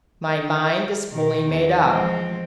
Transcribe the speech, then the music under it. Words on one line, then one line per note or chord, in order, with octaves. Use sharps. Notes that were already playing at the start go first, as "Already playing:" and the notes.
"My mind is fully made up."
B2 D#3
E2
F3 G#3 C4